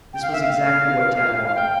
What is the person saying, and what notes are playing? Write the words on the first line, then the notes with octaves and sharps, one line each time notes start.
This was exactly what Tad wanted.
G5
F5
E5
F5
F5
G5